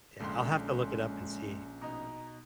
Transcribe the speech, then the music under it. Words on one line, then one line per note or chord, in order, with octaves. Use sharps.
Yeah, I'll have to look it up and see.
A#1 D3 G#3 C#4 C6
B2 D#4 A#5